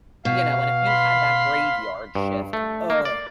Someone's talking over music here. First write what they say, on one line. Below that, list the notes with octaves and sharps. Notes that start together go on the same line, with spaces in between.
you know, and if you had that graveyard shift, ugh,
B2 F5
B5 C6
G2
A3
A#3
D5